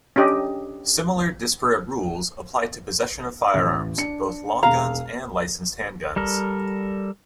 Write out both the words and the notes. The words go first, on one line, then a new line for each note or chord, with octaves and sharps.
Similar disparate rules apply to possession of firearms, both long guns and licensed handguns.
C#4 D4 G4 D#5
A1
D4 C#7
E1 F5 A#5 F6
G3 A4 A#4